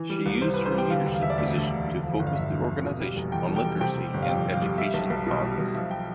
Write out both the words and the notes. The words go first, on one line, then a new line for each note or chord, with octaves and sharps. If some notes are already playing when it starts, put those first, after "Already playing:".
She used her leadership position to focus the organization on literacy and education causes.
Already playing: E3
G3
C2
C3 C5
B4
E3
C5
G3 G5
D3 F5
E1
F5
E1 E5
D5
D2 E5
D3
E1
D3
F3
G1
F5
G2 E5
D3
F3
B2
G3
F1
E2 G5
B2
G5
G3
C3 G5
G3
G1
F5
F2 G5
C3
F5
G3
G3 E5
B1
B1
B2
G3
B1
F3 E5
G5